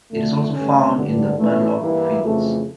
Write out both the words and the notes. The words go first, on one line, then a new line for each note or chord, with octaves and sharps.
It is also found in the middle of the fields.
F2 D3 A3
G2 D3 A3 C#4
A1 G2 D3
A2 E3 A3 C#4 E4
G2 E3 A#3 E4
F2 C#3 E3 A3